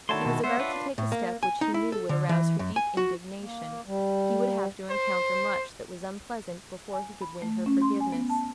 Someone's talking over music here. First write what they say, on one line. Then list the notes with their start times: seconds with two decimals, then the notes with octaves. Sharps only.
He was about to take a step which he knew would arouse her deep indignation; he would have to encounter much that was unpleasant before he could win her forgiveness.
0.09 D#3 A3 D4 E4 F#4 C#5 A5 C6
0.25 B2 G#3 E4 F#4
0.44 B3 C5 C#5 E5 F#5
0.59 D4 F4 B4 C#5
0.98 A2
1.12 A#3
1.43 G#5
1.61 D#4
1.74 E4
1.92 A4
2.09 D3
2.29 E3
2.59 F#2
2.76 G#5
2.97 F#4
3.40 A#3
3.86 G3
4.90 C5
6.93 G#5
7.21 B5
7.42 A3
7.66 C#4
7.82 C6
8.00 G#5
8.12 B3
8.30 A5